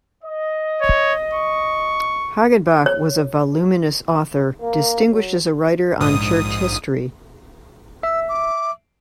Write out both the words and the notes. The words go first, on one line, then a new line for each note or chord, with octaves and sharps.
Hagenbach was a voluminous author, distinguished as a writer on church history.
D#5
C#5
C#6
C#5
A#3
F#3
A#1 G#2 D#6
E5 E6
D6